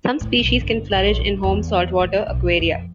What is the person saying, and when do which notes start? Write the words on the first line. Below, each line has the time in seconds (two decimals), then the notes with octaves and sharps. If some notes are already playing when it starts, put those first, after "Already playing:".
Some species can flourish in home saltwater aquaria.
0.21 A2
0.39 B1
0.61 G1
0.91 A#1
1.19 G2
1.43 E2
2.00 A2
2.28 B1
2.59 F2